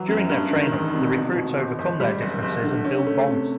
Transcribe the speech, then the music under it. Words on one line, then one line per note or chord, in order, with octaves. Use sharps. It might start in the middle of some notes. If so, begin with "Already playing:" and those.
During their training, the recruits overcome their differences and build bonds.
Already playing: E3 F#3
F#2
G2
D#3
E1
C3
B2
B2
G#1
G#1
G3
F#1
F#1
D3
C#4
A3
C3